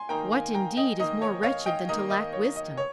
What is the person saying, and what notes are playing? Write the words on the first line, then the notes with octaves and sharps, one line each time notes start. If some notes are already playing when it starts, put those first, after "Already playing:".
What, indeed, is more wretched than to lack wisdom?
Already playing: G#5 C6
D#3 A#3 D#4 G5 A#5
F5 G#5
G5 A#5
D#5 G5
D#3 A#3 D#4 D#5
C#5
C#5 F5
D#5 G5
D#3 A#3 D#4 D#5
D#5
C#5
D#5
C#5